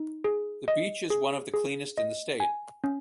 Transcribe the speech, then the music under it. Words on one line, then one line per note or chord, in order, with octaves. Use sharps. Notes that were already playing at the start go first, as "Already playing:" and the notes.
The beach is one of the cleanest in the state.
Already playing: D#4
G#4
D#5
G#4
G#4
D#5
G#5
C#4